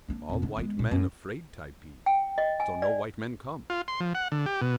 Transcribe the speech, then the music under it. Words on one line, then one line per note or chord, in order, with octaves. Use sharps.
All white men afraid Typee, so no white men come.'
A#3 D4
F2 A#2
D3 D4
G#3 B3
A#2
F#2
G5
D#5
G#5
D5
F4
C6
F3
F#5
D3
G4
B2